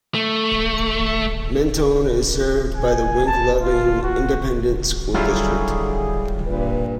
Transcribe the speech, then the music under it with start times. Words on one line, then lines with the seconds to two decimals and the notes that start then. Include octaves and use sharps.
Mentone is served by the Wink-Loving Independent School District.
0.14 A3
2.74 G#5
3.26 A5
3.61 F4
4.03 F#4
5.14 D3 F#3 G3 E4 F4 G#4
6.46 G2 A#2 B4